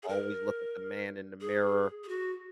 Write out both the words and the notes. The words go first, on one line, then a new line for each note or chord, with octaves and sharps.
"Always look at the man in the mirror,"
G#4
A#4
G#4
G#4
F#4